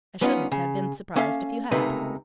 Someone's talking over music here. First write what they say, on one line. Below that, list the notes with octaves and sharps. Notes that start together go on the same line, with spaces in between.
I shouldn't have been surprised if you had.
G3 B3 C#4 D#4 F4
C#3
A#3 C#4 A4 E5 F5
C#2 C3 A3 A#3 D#4 B4